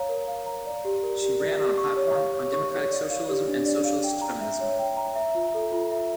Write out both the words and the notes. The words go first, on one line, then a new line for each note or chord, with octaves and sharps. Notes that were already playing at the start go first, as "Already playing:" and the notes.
She ran on a platform on democratic socialism and socialist feminism.
Already playing: C#5 F5 A#5
A#4
F5
A#5
D5
G4
A#4
G4
D5
G4
C#6
C#5
F5
C#5
C#6
C#5
D5
F5
G4
D4
D5
F5
G5
A#5
E5
C#5
G5
A#5
E5
F4
A4
F4
E5